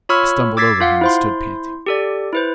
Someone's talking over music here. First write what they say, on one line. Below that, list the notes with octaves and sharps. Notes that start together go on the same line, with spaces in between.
I stumbled over him and stood panting.
F4 C#5 B5 C#6 E6 F6
D6 E6 G#6 A6 B6 C7
F4 F5 F#5
E4 C5 C6
G4 A4 D5
E4 B4 C5